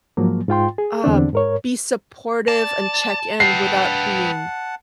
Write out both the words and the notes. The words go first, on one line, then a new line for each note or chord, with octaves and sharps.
uh, be supportive and check in without being
G#2 F3 F#3 A#3
G#2 F4 G5 C6
G#4
E2 D3 C4 D4
G#2 A#4 C#5
D5 A5
B4 F#5 G5 A5 C7